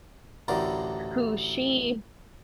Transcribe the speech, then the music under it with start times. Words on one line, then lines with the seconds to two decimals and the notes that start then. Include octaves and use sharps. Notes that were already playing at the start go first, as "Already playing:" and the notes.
who she
0.48 A1 D2 A2 D3 A#4